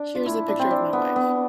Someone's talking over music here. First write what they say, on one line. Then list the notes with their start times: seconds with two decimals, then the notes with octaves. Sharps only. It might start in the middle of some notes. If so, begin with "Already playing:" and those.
Here's the picture of my wife.
Already playing: D4
0.15 F4
0.26 E4
0.48 D4
0.59 C4
0.71 D4
0.93 B3
1.16 B3